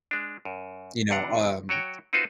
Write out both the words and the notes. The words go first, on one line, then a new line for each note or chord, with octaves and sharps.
you know, um,
G#3 D4
F#2
E2 C3 D4 F#5 A#5
F#3 F#4 C#5 G5
C4 D#4 F4 F#4 B4 C5